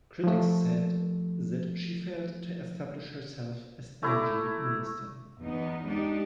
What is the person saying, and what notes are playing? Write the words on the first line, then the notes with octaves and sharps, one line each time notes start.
Critics said that she failed to establish herself as energy minister.
F3 A3
A3 E4 A#5 D6
E2 B3 D#4
G#3 D4 D#4 G4